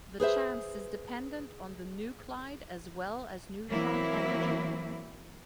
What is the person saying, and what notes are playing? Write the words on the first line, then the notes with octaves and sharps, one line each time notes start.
The chance is dependent on the nuclide as well as neutron energy.
G#4 B4 C5 E5
E3 F#3 A#3 C4 E4